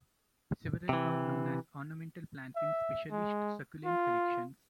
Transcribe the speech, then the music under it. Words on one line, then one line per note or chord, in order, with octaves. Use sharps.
Several are known as ornamental plants in specialist succulent collections.
C3 E3
E5
G#3
F4